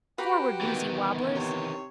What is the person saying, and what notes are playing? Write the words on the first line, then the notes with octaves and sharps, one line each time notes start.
Forward, woozy wobblers!
F#4 G4 B4 G5 A#5 B5
D#3 E3 B3
C3 C#5